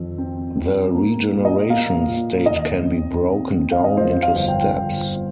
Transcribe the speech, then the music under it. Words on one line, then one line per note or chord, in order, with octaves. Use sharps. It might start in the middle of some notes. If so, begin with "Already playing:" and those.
The regeneration stage can be broken down into steps.
Already playing: F2 D#3
C4
C4
A#3
A#2
D#5
A#3 F5
A#2
D#2 D#5
C4
C4
C4
F5
D#5
F2 C5
F5
G1
G5
G1